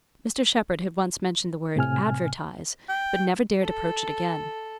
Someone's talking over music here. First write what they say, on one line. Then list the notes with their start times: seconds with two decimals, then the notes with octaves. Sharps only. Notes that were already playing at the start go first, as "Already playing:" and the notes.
Mr Shepherd had once mentioned the word "advertise," but never dared approach it again.
1.76 A2 C3 G#5 F6
2.89 G5
3.63 A4